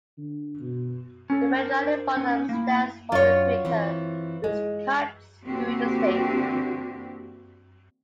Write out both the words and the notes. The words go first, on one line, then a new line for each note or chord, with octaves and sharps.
The red line in bottom stands for the equator, which cuts through the state.
D3
B2
C#4 A4
D4 A#4 C5
C#4 D#4
A#3 E4
F#2 F4 C#5 D5
E3 C4
G#3
D3 E3 A#3 C4 F#4 G4